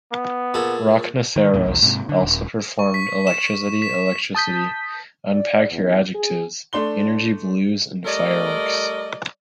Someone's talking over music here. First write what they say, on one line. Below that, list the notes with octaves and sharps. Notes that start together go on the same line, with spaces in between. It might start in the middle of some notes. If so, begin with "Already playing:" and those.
Rocknoceros also performed "Electricity, Electricity", "Unpack Your Adjectives", "Energy Blues" and "Fireworks".
B3
A#2 G#4 A4
D#3
D#2 A2 C#3
B1 E2
G#2 C3
D3
D#1
C#6
B6
E7
B6
A5 D#6 G6 B6
D5
E2
G#4
A3 D4 C6 G7
G3 A3 A#4 D5 D#5